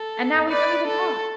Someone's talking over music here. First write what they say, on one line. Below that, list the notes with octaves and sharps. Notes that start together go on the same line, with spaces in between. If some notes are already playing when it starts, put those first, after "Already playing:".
and now we don't even talk.
Already playing: A4
B4 D5
A4